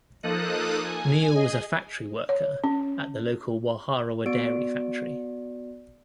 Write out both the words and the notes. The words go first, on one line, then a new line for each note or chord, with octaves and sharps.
Neil was a factory worker at the local Waharoa dairy factory.
F3 A#3 D#4 A4 D#6 F#6
G#5
G#4 D#5
C#5
C#4
B3 F#4 D5 D7